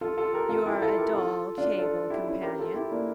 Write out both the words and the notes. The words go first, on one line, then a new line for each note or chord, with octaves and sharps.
You are a dull table-companion.
F4 A4
F4 A4
G4 A#4
F4 A4
E4 G4
F4 A4
G4 A#4
F4 A4
D4 F4
F4 A4
E4 G4
C#4 E4
G4 A#4
F4 A4
E4 G4
A#3 D4